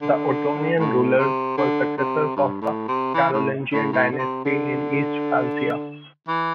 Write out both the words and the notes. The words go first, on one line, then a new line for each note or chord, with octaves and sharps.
The Ottonian rulers were successors of the Carolingian dynasty in East Francia.
D3
A2
C3
D3
C3
G2
A2
C3
E3
A2
A2
A2
D3
C3
D3
E3